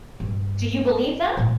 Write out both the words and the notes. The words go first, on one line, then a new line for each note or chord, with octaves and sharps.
Do you believe that?
G2
A2